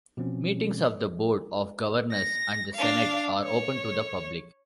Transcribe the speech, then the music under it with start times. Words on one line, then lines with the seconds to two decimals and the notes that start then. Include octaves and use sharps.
Meetings of the Board of Governors and the Senate are open to the public.
0.17 B2 F3 C4 C#4
2.11 A#6
2.74 D4 F5
3.43 C#5